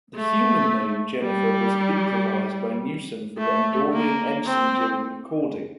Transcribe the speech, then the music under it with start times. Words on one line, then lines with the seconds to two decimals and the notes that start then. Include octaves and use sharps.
The human name Jennifer was improvised by Newsome for the Andorian ensign during recording.
0.15 A3
1.23 G3
3.38 A3
3.93 A#3
4.46 C4